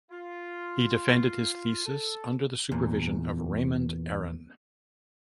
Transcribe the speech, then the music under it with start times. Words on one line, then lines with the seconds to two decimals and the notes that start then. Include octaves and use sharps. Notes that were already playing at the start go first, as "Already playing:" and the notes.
He defended his thesis under the supervision of Raymond Aron.
0.11 F4
1.85 A4
2.72 E2 A#2